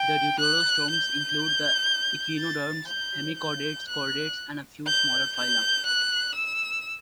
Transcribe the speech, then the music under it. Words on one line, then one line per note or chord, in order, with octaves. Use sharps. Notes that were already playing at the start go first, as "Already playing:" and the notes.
The deuterostomes include the echinoderms, hemichordates, chordates, and a few smaller phyla.
Already playing: G5
F#6
G6
A6
G6
G6
F#6
G6
G6
F#6
E6